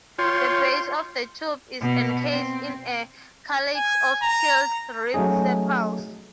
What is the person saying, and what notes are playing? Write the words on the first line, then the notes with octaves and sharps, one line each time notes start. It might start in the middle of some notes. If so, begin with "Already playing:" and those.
The base of the tube is encased in a calyx of keeled, ribbed sepals.
F4 C#5 G5 C6
B2
C4
G#5
A#5
F#3 A3 C#4 D#4 G#4